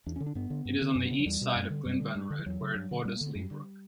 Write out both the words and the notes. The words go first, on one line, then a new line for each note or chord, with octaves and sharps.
It is on the east side of Glynburn Road, where it borders Leabrook.
E2 D4
C#4
D3
D4
G2 B3
D3
G2
D3
F#2 C#4
B3
C#3
F#3
E2 G3
B2
F#2
D3
F#2 G3
D3
G2
D3
E3
E2 F#3
C#3
G2
D3
G2 G3
A#3
D3
B3
F#2 G3
D3